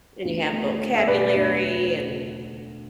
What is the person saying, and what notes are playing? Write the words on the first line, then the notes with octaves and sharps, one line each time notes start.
And you have vocabulary and
D2
A3
D3
E5
E1 B4 D5
D2